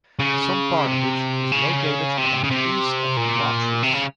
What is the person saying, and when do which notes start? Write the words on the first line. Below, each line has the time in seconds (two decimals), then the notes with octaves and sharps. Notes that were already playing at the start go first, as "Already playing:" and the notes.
Some part of it is located about east of Watrous.
0.19 C#3
0.86 C3
1.52 C#3
2.18 C3
2.44 C#3
2.50 C3
3.17 A#2
3.83 C3
3.94 C#3